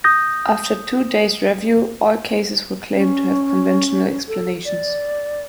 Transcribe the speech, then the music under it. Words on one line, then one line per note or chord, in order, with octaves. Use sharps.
After two days' review, all cases were claimed to have conventional explanations.
D#6 G6 A#6
C#4
A4
D5